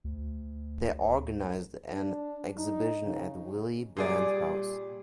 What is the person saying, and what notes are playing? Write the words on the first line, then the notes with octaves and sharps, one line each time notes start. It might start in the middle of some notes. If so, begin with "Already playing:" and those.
They organized an exhibition at Willy Brandt House.
D2
D4
D#4
C#3
A#2 G3 G#4 D5